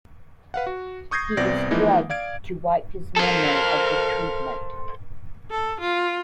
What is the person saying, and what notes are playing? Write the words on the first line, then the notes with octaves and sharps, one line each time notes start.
He is drugged to wipe his memory of the treatment.
B4 F5 F#5
F#4
C#6 D#6 G6 G#6 A#6 C7
C2 B3 C4 D5 A#6 D7
E3 F3 G#3 A#3 D#4 E4
D5 F5 G#6 D7
A4 A#4 C5 F5
A4
F4